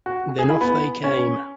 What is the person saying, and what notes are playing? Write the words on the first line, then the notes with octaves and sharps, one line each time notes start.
Then off they came.
F#4
G#4
E4
B3
C#4